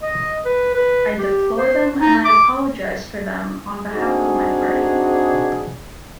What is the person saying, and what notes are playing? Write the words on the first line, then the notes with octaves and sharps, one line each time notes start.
I deplore them and I apologise for them on behalf of my party.
D#5
B4
B4
G4
C5
D#4
D6
C4 D4 D#4 F#4 G#4